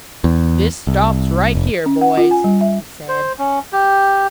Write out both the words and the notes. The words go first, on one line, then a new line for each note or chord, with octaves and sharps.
"This stops right here, boys," he said.
E2
C2
F1
C#4
F#5
F4
G#5
G3
E5
C5
C#4
G4